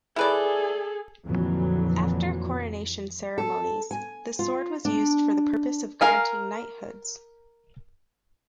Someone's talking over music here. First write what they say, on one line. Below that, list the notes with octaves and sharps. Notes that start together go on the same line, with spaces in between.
After coronation ceremonies, the sword was used for the purpose of granting knighthoods.
E4 G#4 A4 B4 D5
F2 A#2 D3 E3 F#3
A4
G#5
F4
D4
A#4 F5 G#5